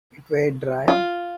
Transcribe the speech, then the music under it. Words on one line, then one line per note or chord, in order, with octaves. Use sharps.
It weighed dry.
F4